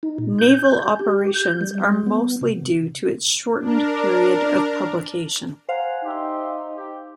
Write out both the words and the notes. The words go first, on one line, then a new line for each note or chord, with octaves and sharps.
Naval Operations are mostly due to its shortened period of publication.
D#4
A#2
G6
G4
G6
G3
B3
C3
D4 A#4
C5 F5 F#5 G#5 A#5
D#4 G4 E5 C6
G4